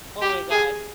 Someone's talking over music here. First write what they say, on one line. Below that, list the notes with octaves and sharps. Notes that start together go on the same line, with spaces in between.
Oh my gosh.
G4
G#4